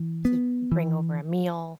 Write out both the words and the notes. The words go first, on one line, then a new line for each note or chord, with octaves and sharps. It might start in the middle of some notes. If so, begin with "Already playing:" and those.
to bring over a meal,
Already playing: E3
B3
E3